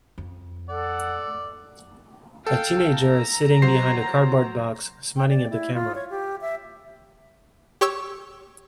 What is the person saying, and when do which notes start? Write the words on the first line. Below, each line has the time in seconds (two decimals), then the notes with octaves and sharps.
A teenager is sitting behind a cardboard box smiling at the camera.
0.18 F2
0.69 A4 D5 F#5
2.47 A4 F5 G5
2.96 A#5
3.62 F#3 C5 C7
5.17 G5
5.28 D5
5.50 E4
5.74 F4
5.95 C#5
6.10 G4
6.41 E5
7.81 G4 C#5 C#6 E6